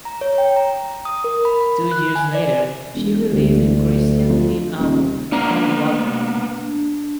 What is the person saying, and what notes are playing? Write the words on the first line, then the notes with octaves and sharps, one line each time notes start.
Two years later she released the Christian themed album "Come Walk with Me".
A#5
C#5
G5
A#5
D#6
A#4
B5
B5
B5
F#6
G#5
D5
E1
D2
F2
D#1
A#3 B3 D4 A#5